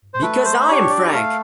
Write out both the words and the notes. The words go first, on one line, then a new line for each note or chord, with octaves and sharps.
Because I am Frank!
C5
A3 B4
C5
C5
D4 G4 C#5
D5
A3 F5